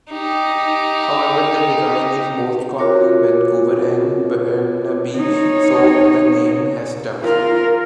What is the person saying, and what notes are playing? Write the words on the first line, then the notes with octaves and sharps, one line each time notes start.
However, the design is most common in Vancouver and Burnaby-so the name has stuck.
D#4 G4
F4 F#4 A#4 C#5 D6
D#4 C#5
F4 A#4